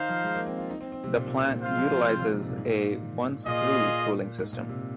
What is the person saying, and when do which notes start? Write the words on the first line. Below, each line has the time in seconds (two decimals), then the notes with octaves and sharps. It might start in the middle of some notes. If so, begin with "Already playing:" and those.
The plant utilizes a once-through cooling system.
Already playing: D#3 D#4 C5 F5
0.09 F3
0.23 G#3
0.35 A#3
0.47 C4
0.58 F4
0.70 D#4
0.81 C4
0.92 C4
1.04 C3
1.15 A#2
1.28 A#2
1.39 A#2
1.50 A#2
1.61 C3 C4 F4 C5 F5
1.71 G#3
1.77 F3
1.92 F3
2.07 C3
2.19 A#2
2.31 G#2
2.42 C3
2.50 A#2
2.58 G#2
2.65 A#2
3.45 A#2 F4 G#4 D#5
4.38 G#2
4.53 A#2
4.69 C3